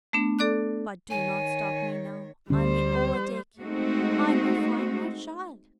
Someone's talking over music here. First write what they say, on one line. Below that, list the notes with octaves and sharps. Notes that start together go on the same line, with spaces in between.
"But do not stop me now--I may overtake him--I may find my child!"
A3 B3 D4
A4 D5 D6 F#6
D#3 C#5 G#5
D2 D3 G3 C#4 C5
G#3 A3 C4 D#4 F#4